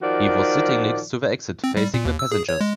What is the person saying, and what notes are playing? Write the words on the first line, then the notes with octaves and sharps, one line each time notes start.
He was sitting next to the exit, facing the passengers.
D#3 F3 F#4 D5
C4
G3
A#2
D#2
E6
G#4
C#5
G#3